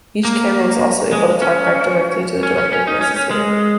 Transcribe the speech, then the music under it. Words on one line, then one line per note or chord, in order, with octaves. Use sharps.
Each camera was also able to talkback directly to the director if necessary.
A#3
G#3
C#4
C#4
C#4
C#4
D#4
C#4
C#4
G#3